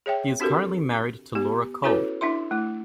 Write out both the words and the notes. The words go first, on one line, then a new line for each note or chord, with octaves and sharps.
He is currently married to Laura Cole.
G#4 C#5 E5 G5
C4 D4 F#4 G4 A4 A#4
B3 G4
C#4 E4 F#4 A4 B4 C#5
D4 E4 E5 C6
A3 E4